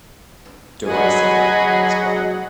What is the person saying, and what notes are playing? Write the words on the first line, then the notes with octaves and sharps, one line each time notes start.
"Derisively," I explained.
F#3 G#4 D#5 F#5 G#5 B5